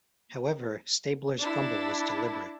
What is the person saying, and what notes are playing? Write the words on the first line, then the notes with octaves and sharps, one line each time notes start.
However, Stabler's fumble was deliberate.
D4 E4